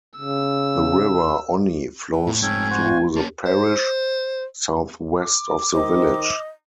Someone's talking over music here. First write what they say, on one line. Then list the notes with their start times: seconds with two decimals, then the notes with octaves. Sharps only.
The River Onny flows through the parish, southwest of the village.
0.18 C#3 E6
2.13 E3
2.27 A2
2.42 F1 G#2 C#4 A4 G5 G#5
2.70 F#4 C5
3.16 A#3 C#4 A5
3.45 C5
5.19 D6
5.73 D#3 C5 D#5